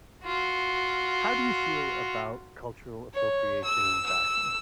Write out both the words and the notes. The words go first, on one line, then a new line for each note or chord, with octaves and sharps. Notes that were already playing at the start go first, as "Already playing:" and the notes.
How do you feel about cultural appropriation in fashion?
F4 F#4
C#5
E6
E6